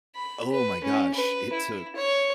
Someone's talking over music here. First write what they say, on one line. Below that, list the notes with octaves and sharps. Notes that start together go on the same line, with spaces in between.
Oh my gosh. It took
B5
B4
C#4
B4
E4
C#5